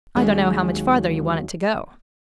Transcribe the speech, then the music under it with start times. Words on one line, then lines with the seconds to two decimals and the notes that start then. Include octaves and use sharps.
I don't know how much farther you want it to go.'
0.16 D#2 F#3 G#3 C#4